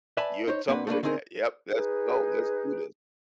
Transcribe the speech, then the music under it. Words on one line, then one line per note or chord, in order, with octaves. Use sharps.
You're tougher than that. Yep. Let's go. Let's do this.
B4 D5 E5 G#5 A5 B5
D#4 C5 C#5
B1 A#3 C4 D4 B4 F#5
A3 A#3 D4 B4
D3 C4 C#4 D#4 G#4 A#4
D#4 G#4 B4